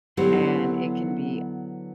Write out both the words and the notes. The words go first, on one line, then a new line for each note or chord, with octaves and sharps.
and it can be
D3 F#3 B3 E4 G4 C5